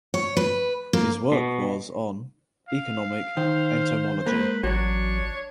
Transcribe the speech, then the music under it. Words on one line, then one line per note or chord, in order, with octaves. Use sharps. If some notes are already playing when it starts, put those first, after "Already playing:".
His work was on economic entomology.
C#5
B4
A#3
B2
F5
D#3 C5
G#3 A#3 B4
A1 F#3 D4 F#4 C#5